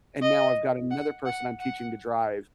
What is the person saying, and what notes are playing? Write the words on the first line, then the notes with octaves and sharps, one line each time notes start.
And now I've got another person I'm teaching to drive,
D#5
F#5
F#5
F#5